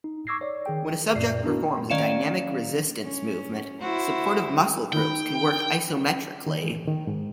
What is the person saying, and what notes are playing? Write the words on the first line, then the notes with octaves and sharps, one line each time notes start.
When a subject performs a dynamic resistance movement, supportive muscle groups can work isometrically.
D#4
C#6 D6 E6 G#6 A#6 C7
C#5 D5
D#3 G#4 G5
F#2 A#2 D5 C7
B3 D4 E4 F#4 A#4
D#3 C#4 D5 F5 C#7 E7
C#4
E4 F#4 C5
D#3 G5 B5
D#3
E3
D#3
G#2